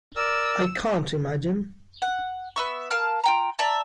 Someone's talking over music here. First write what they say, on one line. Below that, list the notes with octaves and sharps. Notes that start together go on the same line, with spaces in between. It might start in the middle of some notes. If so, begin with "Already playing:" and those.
I can't imagine.
A#4 D5 E6
F#5
B3 E5 C#6
A#4 F5 A5 F6
F4 G5 A#5
D5 E5 A5 A#5